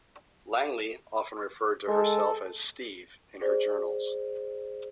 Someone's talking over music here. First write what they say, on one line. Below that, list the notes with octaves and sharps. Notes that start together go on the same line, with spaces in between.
Langley often referred to herself as 'Steve' in her journals.
G#3 A4
G#4 C5 D5